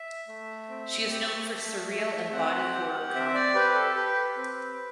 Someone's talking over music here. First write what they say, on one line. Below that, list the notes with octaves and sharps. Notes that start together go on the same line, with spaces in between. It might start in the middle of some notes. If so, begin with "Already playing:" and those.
She is known for surreal and body horror comedy.
Already playing: E5
A3
C4
G4
A3
A3
C4 F#5
G4
C4 E5
D5
G4 B4
A4
G4 B4
C4